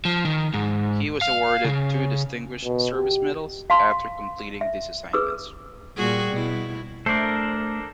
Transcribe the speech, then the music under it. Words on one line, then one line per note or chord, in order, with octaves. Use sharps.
He was awarded two Distinguished Service Medals after completing these assignments.
F3
D#3
G#2
F5
C#3
B2
G4
F5 A5 C6
E5
G#4 B4 D#6 E6
A#2 G3 F#4 G#4
B2 E4
A3 D4 A4 A#4 C5